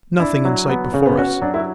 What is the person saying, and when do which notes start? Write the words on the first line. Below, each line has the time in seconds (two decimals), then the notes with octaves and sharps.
Nothing in sight before us.
0.20 D4 E4
0.45 F#3
0.70 B3
0.94 C#3
1.06 B3
1.18 C#4 F#4
1.42 F#3 D4
1.54 E4